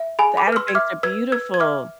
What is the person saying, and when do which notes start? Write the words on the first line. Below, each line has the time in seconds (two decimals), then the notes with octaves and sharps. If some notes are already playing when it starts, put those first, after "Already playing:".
The Outer Banks are beautiful.
Already playing: E5
0.19 G#4 G#5 B5
0.37 B5 D6
0.47 B4 F6
0.56 C6 E6
0.68 G#6
0.75 E5 D6 F6
1.03 B4 E6 G#6
1.32 B4 E6 G#6
1.54 G#6
1.60 E5 D6 F6